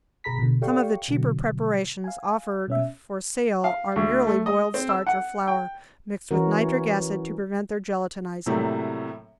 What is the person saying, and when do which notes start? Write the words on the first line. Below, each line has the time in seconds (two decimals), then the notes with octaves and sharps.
Some of the cheaper preparations offered for sale are merely boiled starch or flour, mixed with nitric acid to prevent their gelatinizing.
0.24 G1 B2 G#4 A#5 B5 B6
0.39 B2 D3
0.62 G4 A4 D5 F5 G5 C#6
1.08 B2 D3 F#3
2.04 F5 G#5
2.68 B2 C#4 E5
3.64 F5
3.96 D2
4.27 A3
4.46 D#5
4.74 C4
4.89 E6
5.07 F#5
5.48 G5
6.31 E3 C#4 F#4 A#4
8.46 A2 C3 F#3 G3 A3 A#3